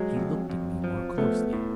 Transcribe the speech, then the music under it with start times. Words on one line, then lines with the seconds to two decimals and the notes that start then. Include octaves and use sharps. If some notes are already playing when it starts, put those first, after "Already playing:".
He looked at me more closely.
Already playing: F#3 G#3
0.16 F2
0.50 F2
0.84 F3
1.18 A3 B3
1.53 A2